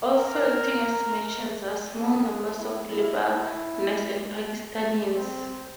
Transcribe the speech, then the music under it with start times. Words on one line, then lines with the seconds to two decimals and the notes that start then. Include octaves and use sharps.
Also acting as merchants are small numbers of Lebanese and Pakistanis.
0.17 A#4
1.98 A4
2.58 E4
2.88 E4
5.16 C4